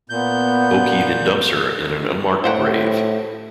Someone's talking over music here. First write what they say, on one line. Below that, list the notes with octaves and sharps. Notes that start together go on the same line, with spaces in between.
Oki then dumps her in an unmarked grave.
A#2 B3 G6
A2 C5 F#5 G5